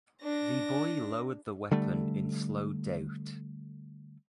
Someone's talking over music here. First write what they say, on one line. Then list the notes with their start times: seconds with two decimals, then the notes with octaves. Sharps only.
The boy lowered the weapon in slow doubt.
0.22 D4 A#6
1.71 D3 G3 A3